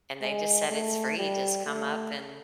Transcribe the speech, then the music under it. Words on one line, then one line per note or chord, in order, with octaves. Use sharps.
and they just said "It's free, just come up and"
G#3
A3
G3
A3